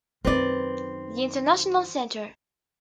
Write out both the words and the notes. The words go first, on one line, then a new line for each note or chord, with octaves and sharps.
The International Centre.
F#2 D#3 C4 B4 D5